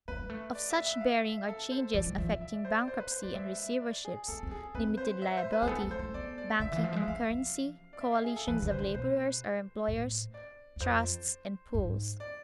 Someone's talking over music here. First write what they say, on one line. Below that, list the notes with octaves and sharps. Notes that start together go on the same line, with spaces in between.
Of such bearing are changes affecting bankruptcy and receiverships, limited liability, banking and currency, coalitions of laborers or employers, trusts and pools.
B3 B4
A3
G#3
A3
D5
E5
E5
F5
E5
A4
C5
F3 D5
G#3
F3 E5
E3
E5
D5
C5
D5
C5
B4
C5
A3 D5
G#3 E5
E5
D5
G#4
B3 A4
C4
G#4
C4 B4
C5
E5
C5
B4
A3 G#4
B3 A4
A3
C5
A3
B3 D5
D5
D3 E5
E3 F5
F3
G#3 E5
A3 F5
F3
D5
E5
F5
G#4
A4
E3 B4
D3
C5
D3
B2 C5
A2
D5
E2
F2 C5
G#2
D5